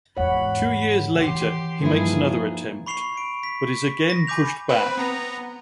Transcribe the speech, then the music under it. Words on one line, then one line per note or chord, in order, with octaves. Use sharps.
Two years later he makes another attempt, but is again pushed back.
E2 G#2 C#5 F#5 B5
D#3 E3 G4 C6
G2 F3 A#3 D#4 E4 G#4
B5 C#6 C7 F7
D7
B6
A#6
G#5 B5 D6 G6 F7
C4 B4
B3 A#5